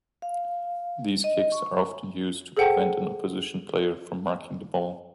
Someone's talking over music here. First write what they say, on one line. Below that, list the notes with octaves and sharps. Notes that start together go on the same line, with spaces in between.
These kicks are often used to prevent an opposition player from marking the ball.
F5
D#5
C#6
G#4 A4 C5 F#5 G5 A5